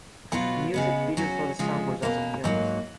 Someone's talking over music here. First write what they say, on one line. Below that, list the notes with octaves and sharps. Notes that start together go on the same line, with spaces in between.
A music video for the song was also filmed.
B2 F#3 B3 F4
C#3 G#3 B3
F#3 C#4 F#4
C#3 F3 G#3
B2 A#3 C#4
G#2 F#3 A#3